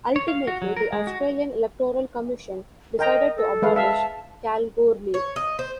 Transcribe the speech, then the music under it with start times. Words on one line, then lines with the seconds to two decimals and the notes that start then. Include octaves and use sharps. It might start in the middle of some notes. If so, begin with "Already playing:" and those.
Ultimately, the Australian Electoral Commission decided to abolish Kalgoorlie.
0.16 C#5
0.28 F5
0.47 F#4
0.62 F#3
0.77 A#4
0.93 G#3
1.07 F#4
2.99 A#4 D#5 G5 A#5
3.37 A4
3.62 G#3 B4 F5
3.76 E5 F5 A5
5.14 C#5
5.36 D#5
5.59 C5